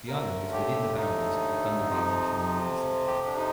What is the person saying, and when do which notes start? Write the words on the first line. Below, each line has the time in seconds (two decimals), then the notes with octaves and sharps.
The island is within the boundaries of the Thunder Bay National Marine Sanctuary.
0.08 D#2 D3 A3 A#4
0.53 G4
0.97 D#4
1.88 F2 C3 F3
3.07 G4
3.27 D4
3.37 D#4